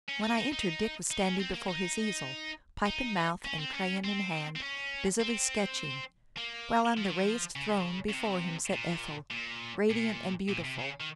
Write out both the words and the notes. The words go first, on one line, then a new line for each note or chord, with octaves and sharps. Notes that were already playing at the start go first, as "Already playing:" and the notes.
When I entered, Dick was standing before his easel, pipe in mouth and crayon in hand, busily sketching; while on the raised "throne" before him sat Ethel, radiant and beautiful.
C#4
D#4
D#4
D#4
D#4
C#4
C4
A#3
D#4
D#4
C#4
C4
C#4
C4
C4
C#4
C4
A#3
F3
F#3
F3
C#3
C#3
C3
A#2
A#2
A#2
A#2
C3
C#3
D#3